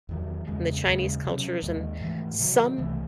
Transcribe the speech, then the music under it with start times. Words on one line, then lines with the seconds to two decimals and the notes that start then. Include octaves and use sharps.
and the Chinese cultures and some,
0.09 E2 D#3 F#3
0.47 E2 C#3 G#3
0.85 D#2 C#3 G#3
1.24 C3 F#3 C#4
1.62 D#2 D#3 G#3
2.00 G#2 E3 A3
2.39 C3 D#3 F#3
2.77 C2 C3 E3 A3